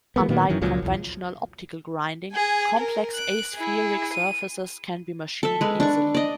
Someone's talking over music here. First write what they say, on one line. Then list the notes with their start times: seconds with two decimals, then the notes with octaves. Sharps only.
Unlike conventional optical grinding, complex aspheric surfaces can be machined easily.
0.16 E3 G#3 A#3 B3
0.29 A#2 D#3 A#3 B3
0.49 F#2 D#3 E3 F#3
0.61 C#2 A#2 F3 F#3
0.82 B1 E2
2.33 G#4 G#5
2.78 A#4
3.14 F#6 D7
3.54 E4 G#4
4.13 D#7
5.43 A4 E5
5.61 G#3 B4
5.80 D4 C#6
6.15 D5 D#5